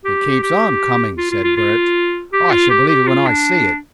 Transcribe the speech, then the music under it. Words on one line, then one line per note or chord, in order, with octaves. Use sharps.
"It keeps ON coming," said Bert; "I shall believe when I see it."
G4
G4
F4
F4
F4
F4
G4
F4
G4
G4
F4
D4